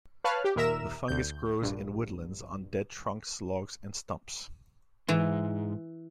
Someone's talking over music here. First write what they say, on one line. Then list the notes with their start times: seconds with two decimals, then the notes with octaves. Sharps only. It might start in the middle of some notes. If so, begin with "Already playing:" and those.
The fungus grows in woodlands on dead trunks, logs, and stumps.
0.24 B4 C#5 F5 A5 F6 F#6
0.44 G4
0.56 D#2 A#2 A#4 E5 A#5 E7
1.08 D2 G6
1.62 A#1 G2
5.08 G#2 E3